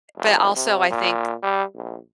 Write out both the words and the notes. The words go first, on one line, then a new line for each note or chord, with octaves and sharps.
but, also, I think
F1
C3
A#2
G3
A#1